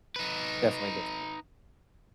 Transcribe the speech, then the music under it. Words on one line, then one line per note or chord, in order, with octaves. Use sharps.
Definitely before.
D#4 B4